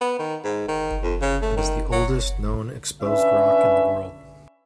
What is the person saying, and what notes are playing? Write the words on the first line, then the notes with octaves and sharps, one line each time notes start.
It is the oldest known exposed rock in the world.
B3
D#3
G#2
D#3
F2
C#3
A3
D#3
F#3
C#4 D4 E4 B4 E5